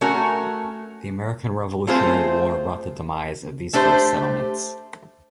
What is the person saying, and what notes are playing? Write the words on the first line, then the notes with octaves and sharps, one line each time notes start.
The American Revolutionary War brought the demise of these first settlements.
A3 C#4 F#4 A#4
A3 C4 F4 G#4 C5
A3 D4 G4 C5